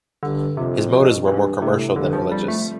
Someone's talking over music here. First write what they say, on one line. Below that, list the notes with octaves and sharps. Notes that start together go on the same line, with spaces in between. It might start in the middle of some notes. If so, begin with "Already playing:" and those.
His motives were more commercial than religious.
G2 D3
F2 C3
B2
G2 E3
A2 C3
G2 D3
F3
F2 G3
A3